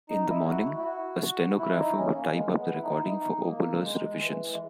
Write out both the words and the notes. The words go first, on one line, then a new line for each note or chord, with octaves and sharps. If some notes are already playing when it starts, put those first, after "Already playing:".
In the morning, a stenographer would type up the recording for Oboler's revisions.
D#4
E4
F#4
E4
F#4
F#4
E4
D#4
C#4
A#3
G#3
B3
E4
D#4
E4
D#4
A#3
G#3
D#3
E3
G#3